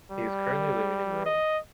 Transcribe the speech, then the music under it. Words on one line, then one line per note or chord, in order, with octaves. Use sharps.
He is currently living in Rome.
G3
D#5